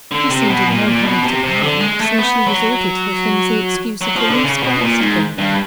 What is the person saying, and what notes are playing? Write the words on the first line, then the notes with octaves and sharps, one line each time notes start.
He seemed in no hurry to come, so she resorted to the flimsy excuse of the loose girth to bring him.
D3
C3
B2
A#2
A#2
B2
C3
C3
D3
G#3
A3
B3
F#3
F#3
F3
D3
C#3
B2
A#2
G#2
G2